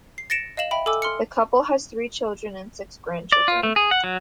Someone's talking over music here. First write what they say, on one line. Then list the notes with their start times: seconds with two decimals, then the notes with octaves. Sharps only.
The couple has three children and six grandchildren.
0.18 C7
0.30 A6 A#6 C#7 D7 E7
0.57 D#5 F5 E7 F#7
0.71 E5 G5 B5
0.86 A4 G#5 D6 E6
1.02 C6 F6 C#7
3.32 D5
3.48 F4
3.63 A3
3.76 G#4
3.91 F#5
4.04 F#3